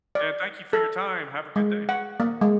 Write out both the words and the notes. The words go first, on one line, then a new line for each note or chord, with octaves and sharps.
And thank you for your time. Have a good day.
D5
A4
G#3
F#5
A#3
G#3